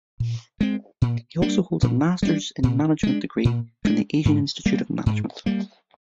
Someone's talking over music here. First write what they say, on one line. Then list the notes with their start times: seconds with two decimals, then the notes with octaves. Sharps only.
He also holds a Masters in Management degree from the Asian Institute of Management.
0.20 A#2
0.61 G#3 C4
1.02 A#2
1.42 G3 A#3 D4
1.82 A#2
2.23 G3 A#3 D4
2.63 A#2
3.03 G#3 D4
3.45 A#2
3.85 G#3 D4
4.25 G#2
4.66 G3 A#3
5.06 G#2
5.46 G3 A#3